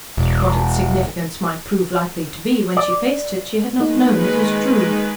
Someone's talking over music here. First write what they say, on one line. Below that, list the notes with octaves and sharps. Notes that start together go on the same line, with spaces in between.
What its significance might prove likely to be when she faced it, she had not known, it is true.
E1
D5
D#3 G#3 A#3 D#4 B4